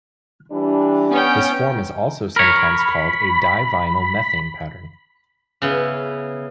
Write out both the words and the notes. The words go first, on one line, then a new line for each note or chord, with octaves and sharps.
This form is also sometimes called a "divinylmethane pattern".
E3 G3 D4
B3 C#4 C#5 G5
A#4 C#5 B5
C#3 B3 E4